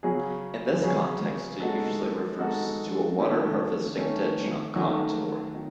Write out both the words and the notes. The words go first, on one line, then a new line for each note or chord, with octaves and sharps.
In this context it usually refers to a water-harvesting ditch on contour.
C#3 F#3 C#4 G#4
C#3 F#3 C#4 G#4
G#3 D#4 F#4 A4
G#3 D#4 F#4 A4
D#3 A3 C#4
D#3 A3 C#4
D#3 F#3 A3 C#4 F#4
D#3